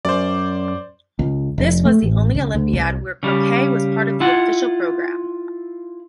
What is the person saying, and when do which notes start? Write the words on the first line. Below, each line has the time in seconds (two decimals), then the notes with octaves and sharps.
This was the only Olympiad where croquet was part of the official programme.
0.05 F#2 C5 D5
1.19 C#2
1.58 F1
1.85 A3
2.02 A1
2.35 C#2
2.54 D2
2.73 C2
3.23 C#3 G3
4.20 E4 F4 F#5